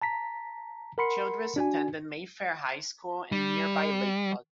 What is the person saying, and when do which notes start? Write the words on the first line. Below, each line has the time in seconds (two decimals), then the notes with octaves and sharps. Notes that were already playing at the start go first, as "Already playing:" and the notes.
Childress attended Mayfair High School in nearby Lakewood.
0.02 A5 A#5 B6
0.98 A#4 F#5 B5 C6 C#7
1.56 D4 F#4 G#5
3.32 G3